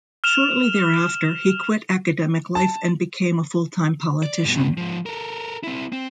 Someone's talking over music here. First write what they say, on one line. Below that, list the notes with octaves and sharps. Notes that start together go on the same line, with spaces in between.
Shortly thereafter, he quit academic life and became a full-time politician.
F6 E7 F7
A5
D5
G2 B2
G#2 F3
A4 A#4
C4 E4
C4